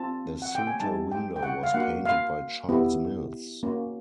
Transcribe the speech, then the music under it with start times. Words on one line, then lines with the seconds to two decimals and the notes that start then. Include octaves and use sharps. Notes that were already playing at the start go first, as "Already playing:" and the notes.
The suter window was painted by Charles Mills.
Already playing: C4 F4 A5
0.42 F#5
0.55 G5
0.67 G#5
0.80 G3 C4 D#4 G4 A5
1.12 G5
1.36 G5
1.43 F#5
1.63 F5
1.74 A#3 D4 F#4 F#5
2.05 F5
2.69 B3 E4 G4
3.63 A#3 C#4 F#4